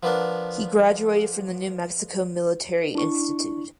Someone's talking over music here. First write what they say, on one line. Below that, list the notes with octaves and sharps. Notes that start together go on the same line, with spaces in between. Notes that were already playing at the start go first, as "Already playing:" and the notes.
He graduated from the New Mexico Military Institute.
F3 B3 D4 A#4
D4 E4 C#6